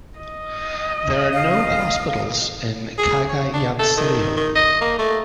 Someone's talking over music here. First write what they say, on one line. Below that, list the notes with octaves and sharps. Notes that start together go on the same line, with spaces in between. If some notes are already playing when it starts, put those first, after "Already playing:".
There are no hospitals in Cagayancillo.
D#5
F5
G#4
C#5
D4
A4
D#3
D#3
D#5
A#3
A3